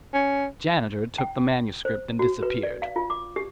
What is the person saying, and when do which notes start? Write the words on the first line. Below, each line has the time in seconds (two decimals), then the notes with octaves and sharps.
The janitor took the manuscript and disappeared.
0.13 C#4
1.18 G5
1.85 C5
2.19 F#4
2.43 B4
2.63 D5
2.82 F5
2.96 F4
3.10 D6
3.36 G4